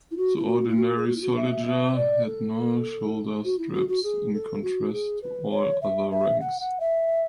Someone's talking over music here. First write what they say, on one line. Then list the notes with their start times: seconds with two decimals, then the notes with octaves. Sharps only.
The ordinary soldier had no shoulder straps in contrast to all other ranks.
0.11 E4
0.17 F#4
0.36 E4
0.47 F#4
0.68 E4
0.77 F#4
0.95 G#4
1.07 F#4
1.15 E4
1.21 F#4
1.36 E5
1.51 E5
1.66 E5
1.95 D5
2.26 A4
3.44 F#4
3.58 E4
3.73 F#4
3.88 F#4
4.03 G#4
4.33 A4
4.62 F#4
4.92 G#4
5.21 B4
5.51 C#5
5.81 E5
6.11 E5
6.40 F#5
6.60 F#5
6.80 E5